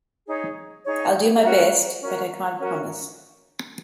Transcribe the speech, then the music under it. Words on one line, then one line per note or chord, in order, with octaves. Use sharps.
I'll do my best, but I can't promise.
D#4 G#4 C#5
D#4 G#4 C#5
C#4 F#4 A#4
C#4 F#4 A#4
C#4 F#4 A#4